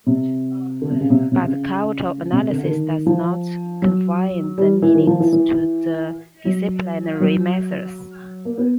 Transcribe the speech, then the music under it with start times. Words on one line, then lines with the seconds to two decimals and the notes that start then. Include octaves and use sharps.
But cultural analysis does not confine the meanings to the disciplinary methods.
0.07 C3
0.82 D3
0.91 C3
1.01 C#3
1.10 C3
1.32 C3
1.44 C#3
2.32 C3
2.50 D3
2.65 D3
2.69 D#3
3.06 F3
3.82 F#3
4.58 G3
4.82 E3
4.94 D#3
5.07 F3
5.20 E3
5.33 E3
6.45 F#3
7.20 F#3
8.45 A#3
8.58 B3